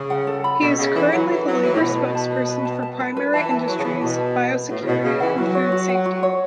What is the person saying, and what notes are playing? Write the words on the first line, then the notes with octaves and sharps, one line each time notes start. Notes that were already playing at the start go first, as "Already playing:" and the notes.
He is currently the Labour spokesperson for Primary Industries, Biosecurity and Food Safety.
Already playing: C#3
F#5
A4
B5
B2 A4
C#3 F#5
E3 A4
F#3 B5
E3 A4
F#3 F#5
E3 A4
A2
B2 B5
A5
A5
B4
B4
A5
A5
B4
B4
E3 A5
E3 A5
F#3 B4
C#3
E3 B4
B2 A5
A5
B4
B4
A2 F#4
C#3
B2 C#5
C#3 F#4
E3 F#5
F#3 F#4
C#5
F#4
F#5
F#4
C#5